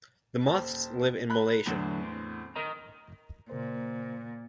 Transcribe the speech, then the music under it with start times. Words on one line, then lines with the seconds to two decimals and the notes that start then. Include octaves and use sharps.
The moths live in Malesia.
0.47 D#1 C5 A5
1.30 A#5 B5 F#6
1.66 E2 A2 D3 F#3 D4
2.03 C4
2.56 A#4 D#5 A#5
3.50 A#2 C#3 A#4 C5